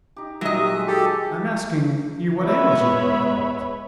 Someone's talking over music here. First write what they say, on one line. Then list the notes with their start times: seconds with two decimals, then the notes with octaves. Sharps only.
"I'm asking you what ails you?" he bawled.
0.16 D#4 G4
0.41 A#2 D#3 F#3 G3 D#5 E5
0.57 G4
0.74 G#3
0.87 F#4 G4 A4
2.41 G#3 B3 B4 C#5 E5 B5